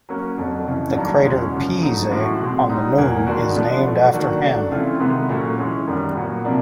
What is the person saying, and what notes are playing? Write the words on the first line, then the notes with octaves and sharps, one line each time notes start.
The crater Pease on the Moon is named after him.
F#3 A#3 C#4
F2 D3 F#3
F2 C#3 E3
G2 D#3 F#3 A#3 D4
E2 B2 G#3 C#4 F#4
F#2 C#3 F3
D3 F#3 B3 D#4
A2 E3 G#3 C#4 F#4
B2 G#3 C4
G3 B3 D#4
E2 B2 F#3 A#3
D#3 G#3 B3 D4 F#4
F3 G#3 B3 D4
B2 F#3 A3
D#3 F#3 A#3 D4 F#4
F#3 A3 D4
C#3 E3 A3 C4 F4
C3 D#3 G#3 B3
A#2 F#3 A3 C#4
E3 G#3 C#4
F#2 D#3 G3 B3
A#2 F#3 B3
C3 F3 A#3 D4